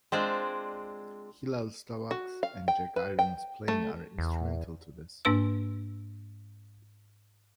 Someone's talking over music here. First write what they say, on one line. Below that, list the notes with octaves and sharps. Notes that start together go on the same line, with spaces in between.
Hillel Slovak's and Jack Irons's playing are instrumental to this.
G#3 C4 D4 F4 C5 D5
F#4
F5
G5
B4
G5
A3
E2
G#2 A#3 D4 B4 E6